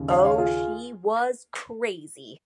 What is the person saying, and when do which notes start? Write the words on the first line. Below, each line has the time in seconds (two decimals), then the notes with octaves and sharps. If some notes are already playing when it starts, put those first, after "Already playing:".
Oh, she was crazy.
Already playing: D#2 C#3
0.11 C#5 F5
0.24 C#5 F5
0.38 F4 G#4